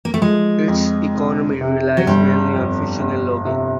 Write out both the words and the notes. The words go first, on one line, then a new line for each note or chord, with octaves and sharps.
Its economy relies mainly on fishing and logging.
A#3
A3
F3 G#3
F2
F1
C3
F#3
G1 G3
F2
G1
C3